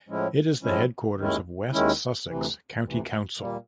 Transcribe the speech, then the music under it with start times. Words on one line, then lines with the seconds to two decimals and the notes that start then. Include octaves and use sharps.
It is the headquarters of West Sussex County Council.
0.08 A2 F3 G#3 C#4 E4
0.62 A2 F3 G#3 C#4 E4
1.18 D#2 D#3 G#3 C#4 E4
1.72 D#2 D#3 G#3 C#4 E4
2.27 D2 C3 E3
2.83 D2 C3 E3
3.38 A#2 G3 A#3